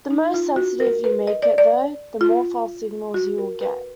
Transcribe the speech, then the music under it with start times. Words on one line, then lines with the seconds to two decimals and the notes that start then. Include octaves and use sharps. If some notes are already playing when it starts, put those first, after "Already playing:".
The more sensitive you make it, though, the more false signals you will get.
0.10 D#4
0.34 F4
0.56 F#4
0.80 A#4
1.04 B4
1.27 D#5
1.43 D5
1.58 D5
2.21 F4
3.14 F#4
3.38 A#4
3.61 B4